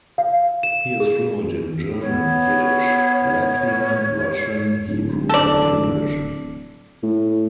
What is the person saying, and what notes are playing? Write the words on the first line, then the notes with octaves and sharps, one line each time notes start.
He is fluent in German, Yiddish, Latvian, Russian, Hebrew and English.
F5
E7
G#4
B3 C#5
D1
A4 D5
A2